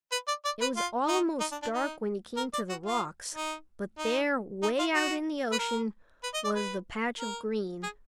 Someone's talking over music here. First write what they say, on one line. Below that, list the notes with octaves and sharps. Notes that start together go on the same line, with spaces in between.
It was almost dark when he came to the rocks, but there, way out in the ocean, was the patch of green.
B4
D5
D5
B4
F4
D#4
D#4
D4
D4
D#4
A#4
D5
F#4
F4
D#4
D#4
D#4
F4
F#4
B4
A#4
B4
D#5
D5
B4
A#4
G#4